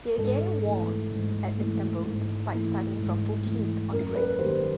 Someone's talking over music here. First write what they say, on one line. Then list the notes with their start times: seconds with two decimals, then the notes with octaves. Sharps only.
He again won at Istanbul, despite starting from fourteenth on the grid.
0.18 G#2 A4
0.65 E3 A3
1.11 G#2
1.58 E3 A3
2.04 G#2
2.52 E3 A3
2.98 G#2
3.45 E3 A3
3.92 F#2 A#4
4.15 B4
4.39 D#3 G3 A#3 C5